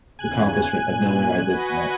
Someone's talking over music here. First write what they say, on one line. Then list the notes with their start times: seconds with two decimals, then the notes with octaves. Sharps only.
accomplishment of knowing I did that.
0.19 E2 C#3 G#5 F#6
0.79 F#2 A#2
1.49 F#4 B4 D#5